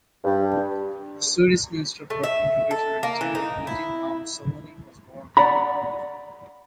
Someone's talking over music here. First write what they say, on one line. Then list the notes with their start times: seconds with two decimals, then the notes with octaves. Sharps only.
The Swedish Minister for Integration and Gender Equality, Nyamko Sabuni, was born in Burundi.
0.24 G2
2.10 A3
2.23 E5
2.71 A4
3.03 A#3
3.21 E3
3.35 D#4
3.67 E4
5.37 D5 F#5 A#5 B5